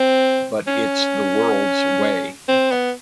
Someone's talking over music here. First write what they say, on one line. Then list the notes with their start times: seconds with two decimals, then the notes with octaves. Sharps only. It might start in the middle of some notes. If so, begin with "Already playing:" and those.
But it’s the world’s way.
Already playing: C4
0.67 C#4
2.48 C4
2.71 B3